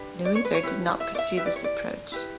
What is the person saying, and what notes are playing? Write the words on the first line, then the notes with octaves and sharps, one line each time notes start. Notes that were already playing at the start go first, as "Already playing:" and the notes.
Noether did not pursue this approach.
Already playing: D4 G4 B4
D5
C#5
B4
C#5
E4 G4 B4
E5
D5
E5
E4 G4 B4 E5
D5
C#5
D5
E4 G4 B4